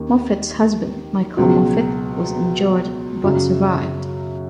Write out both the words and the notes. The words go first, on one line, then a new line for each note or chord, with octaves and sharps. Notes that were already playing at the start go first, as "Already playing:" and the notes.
Moffit's husband, Michael Moffitt, was injured but survived.
Already playing: D#2 D#3 A#3 C#4
C#2 B2 F#3
F#2 C#3 F#3 C#4